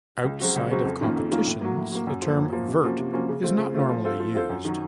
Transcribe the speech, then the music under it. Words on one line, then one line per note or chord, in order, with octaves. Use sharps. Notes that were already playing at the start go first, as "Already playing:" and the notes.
Outside of competitions, the term "vert" is not normally used.
C#2
C#3 F#3 C4 F#4
C#2
C#3 F#3 C4 F#4
F2
D#3 A#3 C#4 F4
F2
D#3 A#3 C#4 F4
A2
F#3 A#3
A2
F#3 A#3
F#2
F3 A#3
F#2
F3 A#3
C3
F3 A#3 C#4 F#4
C3
F3 A#3 C#4 F#4
C#3
A3 C4 F4
C#3
A3 C4 F4
F3
C4 F4 A4 C5
F3
C4 F4 A4 C5
F#2
D#3 F#3